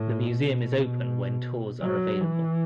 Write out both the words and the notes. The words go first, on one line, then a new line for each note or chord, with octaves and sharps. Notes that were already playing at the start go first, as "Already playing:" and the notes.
The museum is open when tours are available.
Already playing: A2
B2
F#3
E3